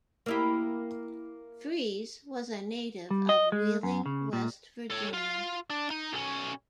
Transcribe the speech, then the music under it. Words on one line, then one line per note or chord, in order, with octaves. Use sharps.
Freese was a native of Wheeling, West Virginia.
A#3 E4 G4
G3
D#5
G#3
F#2
C#3
A#2
A4 C#5
F4 F5
D4
D#4
B1 C#4